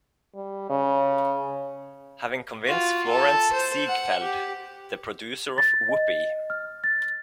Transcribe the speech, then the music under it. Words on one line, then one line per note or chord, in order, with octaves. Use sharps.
Having convinced Florenz Ziegfeld, the producer of Whoopee!
G3
C#3
F4 F#4
A4
C5
F#5
G4
A6
D#5
F6
A6